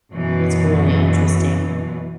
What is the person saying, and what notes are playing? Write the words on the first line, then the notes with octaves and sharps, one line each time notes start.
It's really interesting.
F#2 B2 E3